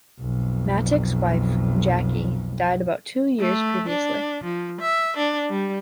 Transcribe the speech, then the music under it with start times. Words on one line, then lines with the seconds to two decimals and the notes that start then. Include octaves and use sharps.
Mattick's wife Jackie died about two years previously.
0.20 B1 F2
3.40 A3
3.89 D4
4.44 F3
4.81 E5
5.17 D4
5.50 G3